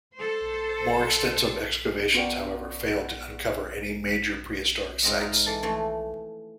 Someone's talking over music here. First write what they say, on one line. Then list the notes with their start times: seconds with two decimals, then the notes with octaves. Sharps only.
More extensive excavations, however, failed to uncover any major prehistoric sites.
0.15 A4 C5
2.14 B3 F4 F#4 A#4 D5 G5
5.03 G#2 C4 D#5 E5
5.21 D#4 F5
5.46 E3 A4
5.63 E3 F3 A3